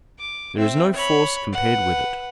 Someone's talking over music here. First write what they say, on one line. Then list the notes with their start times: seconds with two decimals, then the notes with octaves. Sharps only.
There is no force compared with it.
0.19 D6
0.58 C4 E5
0.94 C#5 B5
1.52 B4 F#5